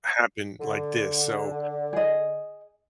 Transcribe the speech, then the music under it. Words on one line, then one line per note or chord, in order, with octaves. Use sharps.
happen like this, so
D3
G#4 D#5